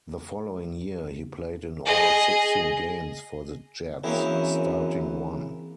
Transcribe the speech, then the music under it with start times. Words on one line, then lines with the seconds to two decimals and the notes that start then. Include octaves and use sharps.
The following year, he played in all sixteen games for the Jets, starting one.
1.86 G#4 D#5
4.04 F#2 E3 A#3 C4 C#4 E4 G#4